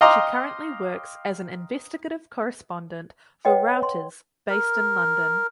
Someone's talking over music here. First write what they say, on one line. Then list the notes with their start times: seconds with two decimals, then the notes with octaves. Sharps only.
She currently works as an investigative correspondent for Reuters based in London.
0.01 D#5 F5 G5 A#5 C6 D6
3.45 B4 C#5 D#5 F#5 G5
3.83 C6
4.49 A#4